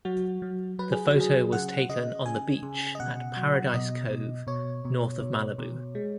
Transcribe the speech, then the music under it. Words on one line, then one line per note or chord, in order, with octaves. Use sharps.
The photo was taken on the beach at Paradise Cove, north of Malibu.
F#3 F#4
F#3
F#3 B4
G#4
F#4
F#3
G#4
C#3 F#5
C#3 D#5
C#3 G#5
C#3
D#5
B2 F#5
F#3
B2 D#5
B2
B2 C#5
B2
B2
B2
G#3